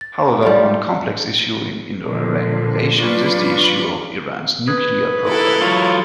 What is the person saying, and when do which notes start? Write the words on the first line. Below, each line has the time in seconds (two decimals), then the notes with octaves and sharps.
However, one complex issue in Indo-Iran relations is the issue of Iran's nuclear programme.
0.01 A6
0.43 G3 F4 C#5 D5
2.03 A#2 D3 F3
3.00 F#3 D4 F4 B4 D5 C#6
4.68 B4 D#6 G#6
5.26 E4 A4 A#4
5.62 F#3 F4 C#5 B5 C6 A6